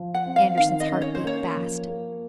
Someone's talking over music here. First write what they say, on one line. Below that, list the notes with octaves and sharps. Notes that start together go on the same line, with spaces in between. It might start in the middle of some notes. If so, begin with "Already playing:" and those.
Andersen's heart beat fast.
Already playing: F3
F#5
C4
F5
D#3 F5
D#5
C#4
C#5
C5
A#3 C#5
F3
A#3